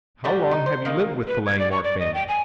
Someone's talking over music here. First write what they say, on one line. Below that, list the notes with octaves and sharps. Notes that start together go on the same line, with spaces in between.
"How long have you lived with the Langmore family?"
A2 G3 F#4 G4
D#4
C5
D#3 A#3
B4
G#6
D5
C#6
D5
D#5
G5
G#5